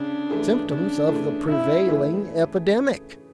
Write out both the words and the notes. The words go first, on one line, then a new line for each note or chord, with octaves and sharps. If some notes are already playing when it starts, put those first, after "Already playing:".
"Symptoms of the prevailing epidemic."
Already playing: C#3 D4
E3 A3 E4 G#4
C#3 D4
E3 A3 E4 G#4
C#3 E4
E3 A3 E4 G#4